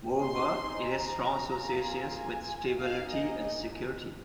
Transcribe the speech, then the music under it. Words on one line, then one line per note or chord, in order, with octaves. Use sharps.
Moreover, it has strong associations with stability and security.
C4 D#4 G#4 C6
A#5
A#3 F4 G#4
G#5
A#3 D#4 G#4 F5
D#5